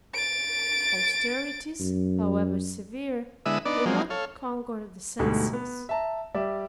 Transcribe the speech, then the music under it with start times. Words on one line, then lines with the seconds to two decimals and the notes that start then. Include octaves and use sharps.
Austerities, however severe, will not conquer the senses.
0.14 A6 D7
1.80 F#2
3.46 D3 G#3 B3 E4 E5 D#6
3.65 B3 D4 D#4 D5
3.86 F3 F#3 G#3 A#3 C4
4.10 A4 C#5 F5
5.19 D2 G#2 B2 G3 A3
5.53 B3
5.89 E5 A5 A#5
6.34 G3 G4 D5 E5